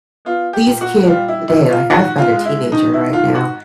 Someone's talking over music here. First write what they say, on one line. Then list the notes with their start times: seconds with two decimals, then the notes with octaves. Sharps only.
these kids today, like I've got a teenager right now,
0.25 B3 F4
0.53 G4
0.67 A#2
0.81 F#4
1.07 G3 F4
1.28 E4
1.48 A#2 E4
1.70 F4
1.90 G#2 F#4
2.18 F4
2.32 G#3
2.45 E4
2.72 D#3 D#4
2.93 E4
3.13 G#2 F4
3.35 F#4